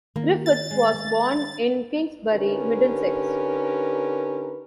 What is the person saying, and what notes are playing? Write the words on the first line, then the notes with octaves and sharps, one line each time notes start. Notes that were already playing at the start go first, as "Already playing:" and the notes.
Griffiths was born in Kingsbury, Middlesex.
D#3 A#3
A6
G#3
D3 C#4 D#4 G4 A#4 B4